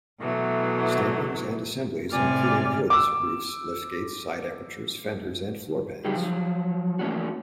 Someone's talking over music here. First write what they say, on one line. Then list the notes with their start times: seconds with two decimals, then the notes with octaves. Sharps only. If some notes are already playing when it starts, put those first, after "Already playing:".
Stampings and assemblies including hoods, roofs, liftgates, side apertures, fenders and floor pans.
0.20 B2 E3 F#3 A3
2.11 A2 C3 D5 G#5 F6
2.90 D6 E6
6.05 C#3 F#3 G3 D#4 G4 G#4
6.17 F3 F#3
6.99 E3 A3 A#3 C#4 D4 F#4